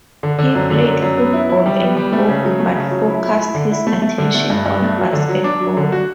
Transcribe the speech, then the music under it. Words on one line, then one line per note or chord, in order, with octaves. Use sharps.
He played football and hockey but focused his attention on basketball.
D3
D3
F#2
D3
F#2
F#2
B3
E4
E4
G3
B3
G3
A3
C#3
F#3
A3
C#3
F#3
E4
E4
E4
D3
E4
A3
A3
D3
A3
G2
G2
A3
F#3
D3
F#3
D4
F#3
D3
F#4